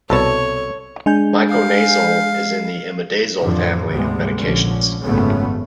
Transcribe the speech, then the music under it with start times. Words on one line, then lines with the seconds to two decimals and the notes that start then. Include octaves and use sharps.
Miconazole is in the imidazole family of medications.
0.10 C2 B2 A4 C#5 A5
1.06 G#3 D4 G#5 G6
1.49 F5
3.39 F2 A2 D3 E3 F3
3.90 D2 G#2 C3 G3 G#3 B3
4.38 A#1 D3 F3 C#4
5.02 G#1 F#2 C#3 A3 B3 C#4